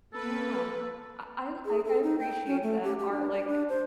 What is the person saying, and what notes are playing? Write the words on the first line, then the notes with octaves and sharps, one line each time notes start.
Yeah. Uh, I'll like, I appreciate that art, like
A#3 A4 B4
G#4
A4
D#4
G5
C#4
A3
G4
G4
D4
D5
D4
C5